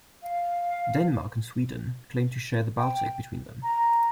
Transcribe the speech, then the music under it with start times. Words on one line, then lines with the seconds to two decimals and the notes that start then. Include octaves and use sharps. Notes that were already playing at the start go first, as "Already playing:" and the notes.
Denmark and Sweden claimed to share the Baltic between them.
0.23 F5
2.78 G5
3.63 A#5